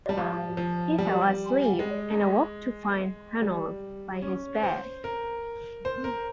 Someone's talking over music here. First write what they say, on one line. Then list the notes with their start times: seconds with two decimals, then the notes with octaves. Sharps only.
He fell asleep, and awoke to find Hanaud by his bed.
0.09 G3
0.18 F3
0.57 F3
0.98 G3
1.79 G#3
3.42 G3
4.22 C#4
4.63 C5
5.04 A#4
5.85 C5
6.04 A#4